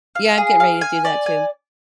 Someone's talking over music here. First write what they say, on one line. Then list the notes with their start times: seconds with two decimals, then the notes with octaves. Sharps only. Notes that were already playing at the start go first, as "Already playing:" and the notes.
Yeah, I'm getting ready to do that too.
0.15 F5
0.38 G#4
0.60 F5
0.81 G#5
1.05 D5
1.26 G#5